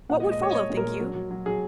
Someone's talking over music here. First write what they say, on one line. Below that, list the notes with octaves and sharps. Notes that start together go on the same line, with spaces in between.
What would follow, think you?
A#2 F#5
D#5
G#3
D#5
G#3 C#5
D#5
G#3 C#5
A#2
A#4
G#3
F#3
F#3
F#3
F#3 G#4